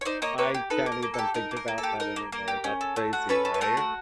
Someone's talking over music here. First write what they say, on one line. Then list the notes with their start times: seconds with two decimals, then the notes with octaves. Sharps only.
I can't even think about that anymore, that's crazy, right?
0.01 C#5
0.05 D#4 C5 D5
0.22 A#3 C#5 D#5
0.38 A#3 B4 C#5
0.54 G4
0.70 D#4 A4 B4
0.86 A#3
0.92 A#4
1.03 A#3
1.14 G4 A4
1.34 D#4 A#4
1.51 A#3
1.57 A#4
1.68 A#3
1.78 A4
1.83 G4
2.00 D#4 A#4
2.16 A#3
2.32 A#3 A#4
2.48 G4
2.64 C#4
2.81 A4
2.96 A3
3.13 F#4
3.29 C#4 A4 B4
3.45 A4
3.54 B4
3.61 A3 A#4
3.77 F#4